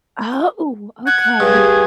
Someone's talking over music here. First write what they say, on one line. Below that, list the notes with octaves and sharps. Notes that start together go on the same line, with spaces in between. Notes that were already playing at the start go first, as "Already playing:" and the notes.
Ah, oh, okay.
F#5 G#6
G2 G#4